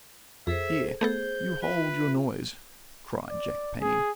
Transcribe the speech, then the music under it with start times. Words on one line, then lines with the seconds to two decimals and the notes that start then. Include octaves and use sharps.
"Here, you hold your noise," cried Jack Penny.
0.47 F2 G#4 A4 C5 E5
1.01 A3 B3 G#4 A4 C5 G6
1.62 F4 B4 E5
3.29 D5
3.81 G#4